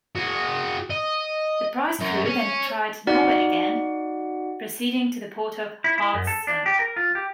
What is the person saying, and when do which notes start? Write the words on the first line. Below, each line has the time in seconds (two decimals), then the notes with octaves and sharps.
The prize crew then tried Norway again, proceeding to the port of Haugesund.
0.15 F#4 G#4
0.90 D#5
2.00 F#2
2.26 C#4
3.07 D#4 F#4 D5 F#5
5.84 E4
5.98 E4
6.14 F#2
6.27 A4
6.47 D4
6.66 G4
6.79 A#4
6.96 F4
7.15 G4